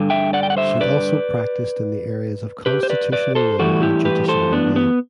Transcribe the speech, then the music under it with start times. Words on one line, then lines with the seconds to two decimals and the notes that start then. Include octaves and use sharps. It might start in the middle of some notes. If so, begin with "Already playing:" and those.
She also practiced in the areas of constitutional law and judicial review.
Already playing: G2 D3
0.10 E5 G5
0.33 D5 F#5
0.43 G5
0.50 F#5
0.57 C5 E5
0.81 B4 D5
2.66 G4 B4
2.83 C5
2.90 B4 D5
3.12 B4 D5
3.35 A4 C5
3.59 A2 E3 G3 F#4 A4
3.82 E4 G4
4.05 G4 B4
4.28 A4 C5
4.52 B3 D4
4.76 B3